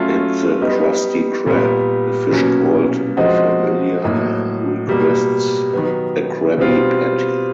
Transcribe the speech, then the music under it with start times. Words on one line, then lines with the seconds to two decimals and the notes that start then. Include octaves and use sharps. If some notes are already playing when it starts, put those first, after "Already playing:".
At the Krusty Krab, a fish called the Familiar Man requests a Krabby Patty.
Already playing: F#3 A3 C#4 F4
0.62 G3 B3 D#4
1.46 A#2 G3 B3
2.31 B2 F#3 A#3 C#4
3.17 F3 G#3 C4 D#4 F#4
4.02 A2 F#3 A#3 D#4
4.87 B2 G3 A#3
5.73 D#3 F#3 B3
6.58 B2 G3 C4 F4